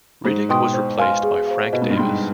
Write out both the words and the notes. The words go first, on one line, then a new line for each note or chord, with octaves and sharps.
Riddick was replaced by Frank Davis.
G#2 C5
B2 G5 C6 D#6
C5
F5 G#5 C6 F6
G#4
C5 F5
B2 D#5
G#2
G2
G#2 G5 C6